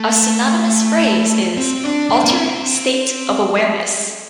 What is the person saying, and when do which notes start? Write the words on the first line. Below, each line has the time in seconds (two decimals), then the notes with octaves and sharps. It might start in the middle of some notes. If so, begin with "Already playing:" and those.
A synonymous phrase is "altered state of awareness".
Already playing: A3
1.57 C4
1.84 D4
2.10 D4
2.17 C4
2.24 A#3
2.31 C4